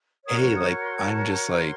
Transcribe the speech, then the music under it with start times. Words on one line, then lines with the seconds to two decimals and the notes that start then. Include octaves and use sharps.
hey. Like, I'm just like,
0.25 F#4 A#4 C#5 D#6
0.40 C#6
0.55 D#6
0.70 C#6
0.84 C6
0.99 A5
1.49 C#6
1.59 C6